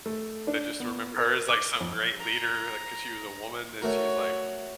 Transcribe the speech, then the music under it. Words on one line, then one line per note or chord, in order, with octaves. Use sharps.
They just remember her as, like, some great leader, like, 'cause she was a woman, and she's, like,
A3
D4
B3
A#4
D6
F2
A#5
A3 F#4 A#4 C#5